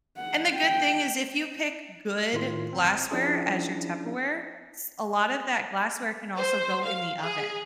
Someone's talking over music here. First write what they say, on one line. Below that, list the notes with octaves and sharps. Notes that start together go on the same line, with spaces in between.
And, the good thing is, if you pick good glassware as your Tupperware, s a lot of that glassware can also go in the oven.
F#5
G5
A2 D#3 F4 C6
G1 C4
F3 C#4 D4 E4 G#4
C5
F5
G#4